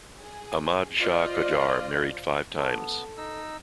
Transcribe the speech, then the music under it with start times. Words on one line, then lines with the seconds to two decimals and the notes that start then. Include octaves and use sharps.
Ahmad Shah Qajar married five times.
0.21 G#4
0.99 F4 C5 D5 D#5
2.58 B3 A4
3.17 D#4 E6